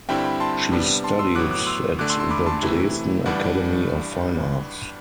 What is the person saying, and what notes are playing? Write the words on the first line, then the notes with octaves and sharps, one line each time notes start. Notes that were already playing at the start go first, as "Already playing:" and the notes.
She studied at the Dresden Academy of Fine Arts.
G2 D3 G3 C4 E4 E5 G5
G5 B5
A5 C6
C3 G3 B3 D4
A5 C6
C6 E6
A2 F#3 B3 D6 F#6
D6 F#6
C6 E6
D2 D3 A3 D4 D6 F#6
C6 E6
C6 E6
B5 D6
A5 C6
C3 E3 A3 E4
G2 E3 G3 D4 D5 F#5